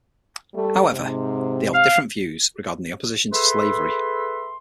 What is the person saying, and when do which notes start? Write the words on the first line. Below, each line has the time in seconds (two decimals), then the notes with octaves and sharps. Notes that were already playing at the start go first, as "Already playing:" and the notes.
However, they held different views regarding the opposition to slavery.
0.54 G3 A3
0.91 G#2 C3
1.74 F5
3.31 G#4 A4 B4 E5 B5 C6